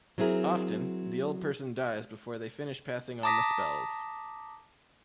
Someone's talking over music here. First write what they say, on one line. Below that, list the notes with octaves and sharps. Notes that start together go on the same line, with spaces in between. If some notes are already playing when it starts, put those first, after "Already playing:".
Often, the old person dies before they finish passing on the spells.
F#3 C4 E4 G#4 A#4
A5 A#5 D6 D#6 A#6 B6